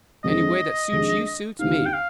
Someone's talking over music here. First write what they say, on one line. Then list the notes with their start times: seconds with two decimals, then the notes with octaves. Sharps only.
Any way that suits you suits me.
0.24 F2 D#3 G#3 D4 D#5
0.92 F2 D#3 G#3 D4
1.59 D#2 D3 G3 C4 D#4 F5
1.86 G5
1.93 F5